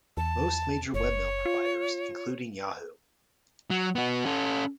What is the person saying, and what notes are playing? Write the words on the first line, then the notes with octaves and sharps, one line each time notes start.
Most major webmail providers, including Yahoo!
E2 A5
F#1 C#5
F4
F#3
B3 F#4
C#4 A4